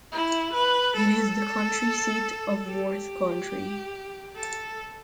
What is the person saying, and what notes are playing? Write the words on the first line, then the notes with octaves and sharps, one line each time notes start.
It is the county seat of Worth County.
E4
B4
A4
G4
A4